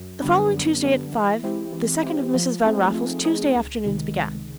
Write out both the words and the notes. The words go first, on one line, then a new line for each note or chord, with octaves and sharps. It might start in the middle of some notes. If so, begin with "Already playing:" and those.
The following Tuesday at five the second of Mrs. Van Raffles's Tuesday afternoons began.
Already playing: F#2
D3 G3 B3 D4
F#2
D3 G3 B3 D4
E3
G#3 C4 E4 G4
E3
G#3 C4 E4 G4
F3
A3 C4 D#4 G#4
F3
A3 C4 D#4 G#4
C#2
C3 D#3 G#3
C#2